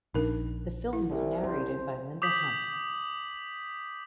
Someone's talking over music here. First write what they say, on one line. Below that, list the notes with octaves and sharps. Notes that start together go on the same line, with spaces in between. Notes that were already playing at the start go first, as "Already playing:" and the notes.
The film was narrated by Linda Hunt.
A#1 F3 D4 D#4 A#4
E4
C2
C5
D6 D#6 G6 B6 F#7